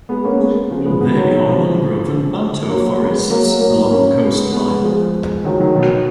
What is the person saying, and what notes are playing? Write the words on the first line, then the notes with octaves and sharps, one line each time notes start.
They are mangrove and banto forests along the coastline.
G#3 B3
A#3 C#4
G#3 B3
C#3 F3
G#3 B3
G#3 B3
D#3 F#3
F3 G#3
F#3 A#3
G#3 B3
F#3 A#3
F#3 A#3
A#3 C#4
G#3 B3
G#3 B3
F3 G#3
D#3 F#3
D#3 F#3
B2 D#3